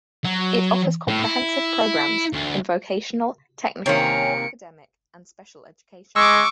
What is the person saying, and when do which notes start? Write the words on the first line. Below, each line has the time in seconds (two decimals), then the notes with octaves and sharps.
It offers comprehensive programs in vocational, technical, academic and special education.
0.24 F#3
1.08 A2
1.23 E4
2.33 D2
3.86 C3 D#3 A#3 C4 C#4 C#7 D7
6.16 G#3 C#6 D6 E6